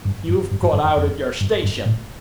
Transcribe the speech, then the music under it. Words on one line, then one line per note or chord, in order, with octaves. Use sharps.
You've got out of your station.
G2
G2
G2
G2
G2
F2
F2
G2
G2
A2